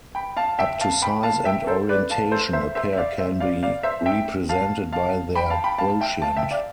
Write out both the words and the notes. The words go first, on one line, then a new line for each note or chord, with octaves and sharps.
Up to size and orientation, a pair can be represented by their quotient.
G5 B5
F5 A5
E5 G5
F5 A5
G5 B5
F5 A5
E5 G5
A4 C5
B4 D5
F5 A5
A4 C5
C5 E5
C5 E5
E5
D5 F5
C5 E5
D5 F5
D5 F5
C5 E5
E5 G5
F5 A5
F5 A5
G5 B5
F5 A5
G5 B5
F5 A5
E5 G5
F5 A5
E5 G5
D5 F5